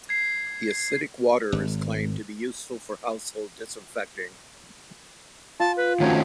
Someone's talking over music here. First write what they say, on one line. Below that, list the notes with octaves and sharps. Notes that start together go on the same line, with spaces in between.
The acidic water is claimed to be useful for household disinfecting.
G#6 C7
G#1
F4 A5
B4
D#3 F#3 A3 C4 C#4 F#4 C#5